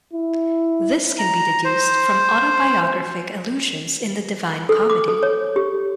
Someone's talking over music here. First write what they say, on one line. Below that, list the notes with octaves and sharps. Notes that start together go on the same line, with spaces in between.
This can be deduced from autobiographic allusions in the Divine Comedy.
E4
A#5
C5
A4
D6
A4
C#5
G4